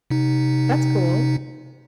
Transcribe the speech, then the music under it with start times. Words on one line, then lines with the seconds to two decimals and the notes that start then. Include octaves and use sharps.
That's cool.
0.10 C3 D#4